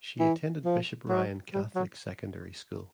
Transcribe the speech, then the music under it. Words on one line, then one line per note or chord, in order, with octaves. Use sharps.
She attended Bishop Ryan Catholic Secondary School.
E3
F3
F#3
G3
F#3